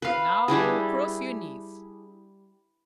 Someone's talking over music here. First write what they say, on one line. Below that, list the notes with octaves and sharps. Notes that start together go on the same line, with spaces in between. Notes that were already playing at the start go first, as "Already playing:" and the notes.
"Now cross your knees."
B4 F5
G3 D4 E4 G#4